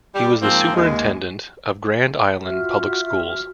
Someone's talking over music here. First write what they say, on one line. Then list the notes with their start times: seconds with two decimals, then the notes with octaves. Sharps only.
He was the superintendent of Grand Island Public Schools.
0.14 G3
0.42 G#2 F3 A#3 C4
0.75 D#2 G#3
2.42 F4 F#4 E5 F6